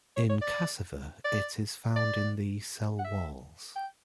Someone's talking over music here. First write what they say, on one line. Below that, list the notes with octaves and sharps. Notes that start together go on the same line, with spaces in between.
In cassava it is found in the cell walls.
C#5
C#5
D5
D5
D5
F#5
E5
G5